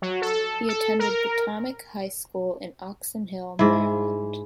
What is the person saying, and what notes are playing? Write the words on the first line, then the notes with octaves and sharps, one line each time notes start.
He attended Potomac High School in Oxon Hill, Maryland.
F#3
A4
A4
A#4
G#2 E4